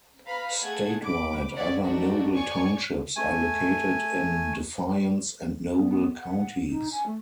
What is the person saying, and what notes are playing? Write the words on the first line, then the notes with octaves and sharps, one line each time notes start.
Statewide, other Noble Townships are located in Defiance and Noble counties.
B4 F5 A#5 B5 F6
A3 G#4 F#5 A5 G#6
B5 D6
C#5 D5 E5 F#5
A3 D4 D#4 F#4 A4
C#5 D5 G#5 C#6
A3 G#5
B3
F#5
D#4
G#5
A3